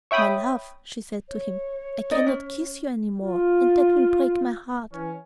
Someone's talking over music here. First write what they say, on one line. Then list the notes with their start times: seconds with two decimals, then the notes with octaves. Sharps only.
"My love," she said to him, "I can not kiss you any more, and that will break my heart."
0.11 C#5 E5 G5 B5 D#6
1.29 C#5
2.11 D#4 D5 D#5
2.27 C#4
3.22 F4
4.92 E3 C#4